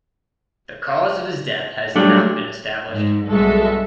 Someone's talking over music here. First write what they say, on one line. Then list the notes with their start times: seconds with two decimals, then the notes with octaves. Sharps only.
The cause of his death has not been established.
1.96 F#3 G3 A3 D4
2.91 G#2
3.27 B1 G2 G#3 F#4 A4 E5